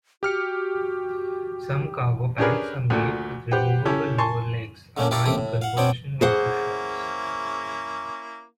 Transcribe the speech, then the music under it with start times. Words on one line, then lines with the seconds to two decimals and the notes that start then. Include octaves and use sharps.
Some cargo pants are made with removable lower legs allowing conversion into shorts.
0.23 F#4 G4 F6 C#7
2.38 C#4 D4 G4 G#4 A#4 B4
2.90 D2 A#2 A3
3.51 G4 B4 C5 F#5 G5
3.85 C#4 E4 G4 A4
4.18 G#5 A5 C6 C#6
4.97 D3 A3 A#3 C#4 D4
5.11 E4 G4 A#4 F5 A5 C#6
5.26 A1 D#2 C3 A3 G4 D#6
5.38 A2
5.62 F5 F#5
5.77 B3 C4 D4 C#5 G5
6.21 A#3 C#4 E4 G#4 C5 F#5